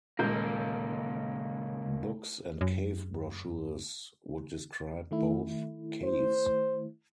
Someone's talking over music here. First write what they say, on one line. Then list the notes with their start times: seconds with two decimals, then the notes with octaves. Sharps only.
Books and cave brochures would describe both caves.
0.19 D#1 C#2 G#3 A#3 G6
2.61 F#2
5.11 D#3 A3 E4
6.04 C5